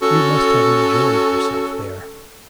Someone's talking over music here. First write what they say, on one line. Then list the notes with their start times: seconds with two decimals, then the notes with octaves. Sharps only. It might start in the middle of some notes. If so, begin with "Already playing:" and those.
You must have enjoyed yourself there.'
0.02 C#4 F#4 A4